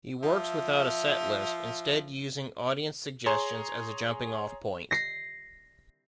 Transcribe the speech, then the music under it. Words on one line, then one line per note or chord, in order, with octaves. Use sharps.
He works without a set list, instead using audience suggestions as a jumping-off point.
F3 E5
G#4 C#5 A#5 C6
A#6 C7